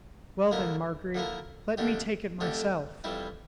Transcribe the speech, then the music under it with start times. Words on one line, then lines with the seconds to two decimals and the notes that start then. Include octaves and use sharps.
"Well, then, Marguerite, let me take it myself."
0.52 D3 F3 A#3 E4 A#4
1.15 D3 F3 A#3 E4 A#4
1.77 F2 D3 A3 D4 G4
2.40 F2 D3 A3 D4 G4
3.04 F2 E3 G3 C4 E4